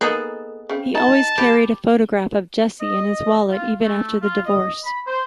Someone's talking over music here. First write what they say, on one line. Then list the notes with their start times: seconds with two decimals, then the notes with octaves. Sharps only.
He always carried a photograph of Jessie in his wallet even after the divorce.
0.01 A#3 B3 D#4 G#4 A4
0.69 C#3 C4
0.95 D#4 A5
1.38 G4 B4
2.80 D#5
3.49 F4
3.81 A3
4.22 F4
4.46 D#5
4.84 B5
5.06 C5